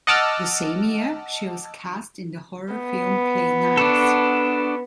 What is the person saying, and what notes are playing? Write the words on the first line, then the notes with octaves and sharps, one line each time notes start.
The same year, she was cast in the horror film "Play Nice".
D#5 F#5 A5 D6 E6 F6
B3
D4 F#4 A4